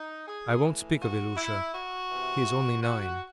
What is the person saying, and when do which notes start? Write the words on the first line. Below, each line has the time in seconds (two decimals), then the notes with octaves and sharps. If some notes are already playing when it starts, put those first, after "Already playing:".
I won't speak of Ilusha, he is only nine.
Already playing: D#4
0.27 G#4
0.64 A2 E3
1.00 F#4
1.37 E4
1.73 F#4
2.10 C3 E3
2.83 F#4